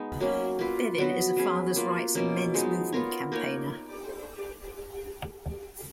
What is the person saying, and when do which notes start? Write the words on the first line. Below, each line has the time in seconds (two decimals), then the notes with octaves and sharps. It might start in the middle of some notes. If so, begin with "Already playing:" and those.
Bevin is a fathers' rights and Men's movement campaigner.
Already playing: G#3 B3 D#4
0.20 F#3 A#3 C#4
0.59 A#3 F4 B4
0.98 F#3 B3 F#4 B4
1.37 F#3 C#4 G#4 B4
1.76 A#3 F4 B4
2.15 B2 A#3 C#4
2.54 F3 G#3 B3 D#4
2.92 B3 F4 A#4 C#5
3.32 A#3 D#4 A#4 C#5